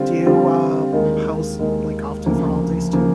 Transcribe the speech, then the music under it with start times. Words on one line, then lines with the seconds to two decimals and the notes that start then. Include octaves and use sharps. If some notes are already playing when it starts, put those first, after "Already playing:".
Do you, uh, post, like, often for holidays too?
Already playing: D3 G3 C4 F4
0.26 D3 G3 C4 F4
0.93 D#2 D#3 G#3
1.59 D#2 D#3 G#3
2.26 D2 C#3 F3 A#3
2.93 C#3 F3 A#3